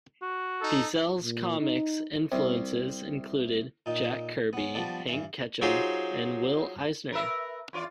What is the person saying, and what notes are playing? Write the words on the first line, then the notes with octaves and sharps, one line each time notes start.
Feazell's comics influences included Jack Kirby, Hank Ketcham, and Will Eisner.
F#4
D#4 A4
A#2
D#4
C2 C3
A#2 D#4
B3 C#4
F3 G3 B3 D4
G2 E3
F#3 D#4 F4 G4 G#4 C5
A#4 B4 E5
E2 F4 D5